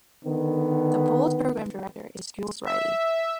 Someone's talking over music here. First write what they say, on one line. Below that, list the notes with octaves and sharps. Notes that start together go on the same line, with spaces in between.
The Bull's program director is Jules Riley.
D3 D#3 B3
E5